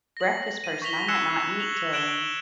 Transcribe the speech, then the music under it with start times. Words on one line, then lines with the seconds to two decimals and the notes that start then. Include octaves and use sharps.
breakfast person; I might not eat till,
0.17 A#6 F#7
0.64 D#7 F#7
0.82 C#6 A#6 B6 F7 G7
1.08 E6 F#6 G#6 C7 C#7 E7
1.60 F7 F#7
1.92 F#6 G#6 D7 E7 F#7 G7